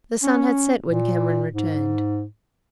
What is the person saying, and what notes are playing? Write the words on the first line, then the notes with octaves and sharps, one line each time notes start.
The sun had set when Cameron returned.
C#4
A#2
G#2